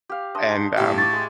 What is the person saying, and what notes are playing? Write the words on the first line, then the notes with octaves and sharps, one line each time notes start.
and, um
G4 F5
D4 C5 D#5
A2 G4
C#6 D6 A6
G#3 G#4